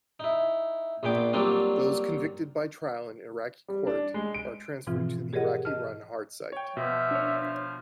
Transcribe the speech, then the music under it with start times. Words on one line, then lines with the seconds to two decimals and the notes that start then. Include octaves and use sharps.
Those convicted by trial in Iraqi court are transferred to the Iraqi-run Hard Site.
0.20 D#4 E4
1.03 A#1 A#2 B3 G5 D6
1.33 F#3 G3 A#3 C4 D4 F4
3.68 G3
3.87 D4
4.14 G#3
4.34 D7
4.87 G#2 B2 E3 F3 C4 F4
5.33 G4 G#4 A#4 C#5 D#5 F#5
5.65 D#5 A5 F6
6.53 C#5 G5
6.77 B2 F3 E5
7.11 D4 C#5